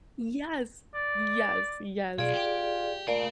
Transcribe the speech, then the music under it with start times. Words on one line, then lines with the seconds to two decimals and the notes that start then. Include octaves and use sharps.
Yes, yes, yes.
0.94 D5
2.18 B1 F4 G#4 D5
2.34 G4
3.08 A#2 A3 G#4 D5 F5